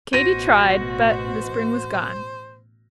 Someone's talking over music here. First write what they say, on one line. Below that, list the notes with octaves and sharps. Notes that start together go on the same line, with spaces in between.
Katy tried, but the spring was gone.
A1 B2 F#4 C5 A#6 D#7